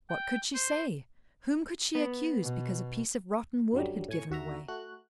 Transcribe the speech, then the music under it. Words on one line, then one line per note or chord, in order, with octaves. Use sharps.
What could she say, whom could she accuse, because a piece of rotten wood had given away.
G5
C5
B3
B2
F#2 D3 F#3 G3
A2 G#5 C#6
D#2 F#4 E5 A#5
A3 F#4 F#6